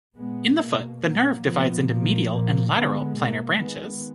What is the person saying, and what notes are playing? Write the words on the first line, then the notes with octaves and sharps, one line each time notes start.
In the foot, the nerve divides into medial and lateral plantar branches.
A#2 G#3 B3
B2 A#3
A#2 F#3 A#3
A#2 F3 B3
A#2 F3 A#3
A#2 F3 A#3
D3 G#3 B3
B2 A#3
D#3 G#3 B3